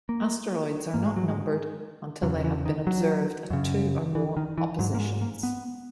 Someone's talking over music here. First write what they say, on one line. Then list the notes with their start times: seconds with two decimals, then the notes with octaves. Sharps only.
Asteroids are not numbered until they have been observed at two or more oppositions.
0.09 A#3
0.94 G#2 A#3
1.06 G#3
1.16 F#3
1.28 G#3
2.22 E2 C#3 F#3
2.44 E3
2.66 D#3
2.87 F#3
3.50 F#2 C#3
4.15 E3
4.37 D#3
4.58 E3
4.79 G#2 F#3
4.95 A#3
5.00 G#3
5.21 A#3
5.43 B3